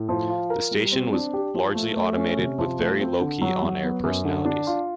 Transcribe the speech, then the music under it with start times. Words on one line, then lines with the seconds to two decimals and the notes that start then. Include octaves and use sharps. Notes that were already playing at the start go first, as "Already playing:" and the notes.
The station was largely automated with very low-key on-air personalities.
Already playing: A2
0.09 F3
0.29 F4
0.50 A#4
0.71 G3
0.92 C4
1.13 D4
1.33 G4
1.54 F3
1.75 A3
1.96 A3
2.16 C#4
2.38 C3
2.58 F3
2.79 A3
3.00 C4
3.21 D3
3.42 F#3
3.63 F#3
3.83 B3
4.04 F#2
4.25 D3
4.45 D4
4.67 F4